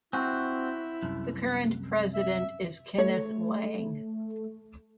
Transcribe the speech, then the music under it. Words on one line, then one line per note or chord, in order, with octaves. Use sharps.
The current President is Kenneth Wang.
C4 E4 F#4
C2 F#2
E5
A3 C#5